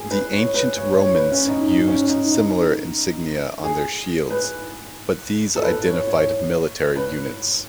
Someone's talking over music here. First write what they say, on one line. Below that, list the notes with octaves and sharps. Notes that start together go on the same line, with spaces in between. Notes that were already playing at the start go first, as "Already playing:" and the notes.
The ancient Romans used similar insignia on their shields, but these identified military units.
Already playing: G#4
B4
C#5
B4
C#5
C#5
B4
C#4
D#4
D#4
C#4
D#4
D#4
G#4
B4
A4
B4
C#5
C#5
B4